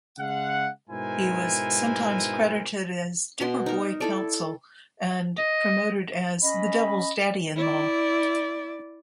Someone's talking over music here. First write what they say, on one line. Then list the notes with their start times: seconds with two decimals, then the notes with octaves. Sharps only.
He was sometimes credited as Dipper Boy Council and promoted as "The Devil's Daddy-in-Law".
0.18 C#3 G#3 F5 F#5
0.90 G#2 B2 E4 A#4 C5 G#5
3.41 B2 C6
3.66 D#4 A#4
4.00 E4 A4 D5
5.38 D#5
6.43 C#4 D#5 B5
7.56 E4 D5